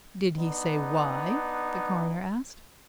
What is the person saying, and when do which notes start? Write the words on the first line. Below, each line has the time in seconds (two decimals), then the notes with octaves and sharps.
"Did he say why?" the coroner asked.
0.37 B3 D4 D#4